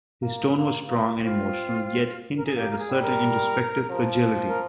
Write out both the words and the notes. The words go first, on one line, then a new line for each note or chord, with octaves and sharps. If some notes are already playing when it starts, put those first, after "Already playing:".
His tone was strong and emotional, yet hinted at a certain introspective fragility.
A#3
A#3
A#3
C4 F4
A#4
G#4
A#3 G4
A#4
G#4
G3
C5
A#4
F3
A#4